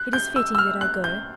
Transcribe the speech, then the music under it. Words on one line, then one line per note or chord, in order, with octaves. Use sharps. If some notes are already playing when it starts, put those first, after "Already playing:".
It is fitting that I go.
Already playing: F#6
G6
E6
E6
F6
F#6
G6